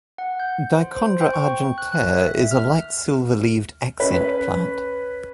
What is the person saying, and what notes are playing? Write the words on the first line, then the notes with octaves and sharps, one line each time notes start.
"Dichondra argentea" is a light silver leaved accent plant.
F#5
G6
C5
C5
G5
C#6
F#6
F#6
E5
F6
C#4 B4